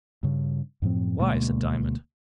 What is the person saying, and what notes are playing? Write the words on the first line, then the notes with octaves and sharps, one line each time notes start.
"Why?" said Diamond.
G2 C#3
F#2 A2 F3 C4
D2 B2 G#3 A#3